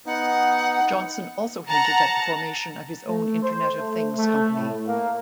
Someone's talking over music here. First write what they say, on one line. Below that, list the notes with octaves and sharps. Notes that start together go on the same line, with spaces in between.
Johnson also hinted at the formation of his own Internet of things company.
B3 D#4 F#5
F#5 A5 A#5
A3
C5
A3
A3
A2
A#3